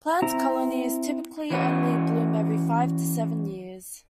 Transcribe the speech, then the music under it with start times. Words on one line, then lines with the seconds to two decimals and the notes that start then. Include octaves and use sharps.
Plant colonies typically only bloom every five to seven years.
0.22 C4 E4 A#5
1.50 E3 C#4 F#4 B4